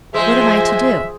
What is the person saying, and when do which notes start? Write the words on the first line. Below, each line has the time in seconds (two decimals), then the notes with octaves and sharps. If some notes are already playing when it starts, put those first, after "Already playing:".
"What am I to do?"
0.14 F3 G#3 C5 E5 G#5